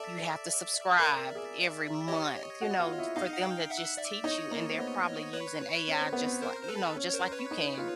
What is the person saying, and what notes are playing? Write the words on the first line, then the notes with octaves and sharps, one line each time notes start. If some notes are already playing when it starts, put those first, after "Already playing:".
you have to subscribe every month, you know, f for them to just teach you. And they're probably using AI just li you know, just like you can,
Already playing: A4 D5 E5
A#4
A#4
G#4
G4 C#5 D#5
F#4
F4
E4
D#4 D#5 F5
F#5
F5 G5
E5 F#5
D5 E5
D#4 C#5 D#5
A#3
C4
B3
B4 C#5
C#4
C4
B3
C4
A#4 C5
C5
A4 B4
C#4
C#5
A#4 C5
B4 C#5
D#4
F4